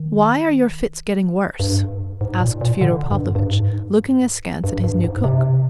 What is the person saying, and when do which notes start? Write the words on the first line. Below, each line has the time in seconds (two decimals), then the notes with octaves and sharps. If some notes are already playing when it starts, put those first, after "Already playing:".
"Why are your fits getting worse?" asked Fyodor Pavlovitch, looking askance at his new cook.
Already playing: D#3
1.60 G2
2.21 G#2
2.40 A#2
2.61 A#2
2.81 D3
3.11 G2
3.35 G2
3.42 G#2
4.64 G2
4.84 G2
5.04 G#2
5.24 C3